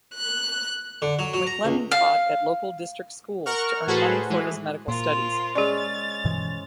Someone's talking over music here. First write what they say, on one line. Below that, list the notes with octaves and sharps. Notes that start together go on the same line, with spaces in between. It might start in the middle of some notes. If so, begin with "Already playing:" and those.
MacLennan taught at local district schools to earn money for his medical studies.
F#6
D3
F#3
F#3
A#5
C#2
F5
A#4 F#5 C#6 F6
A2 F#4 G#4 A4 B4 C5
E3 G#3
A#2 F4 A#4 C5
G#3 C#4 G#4 D5 A6 F7
G2 B2 E3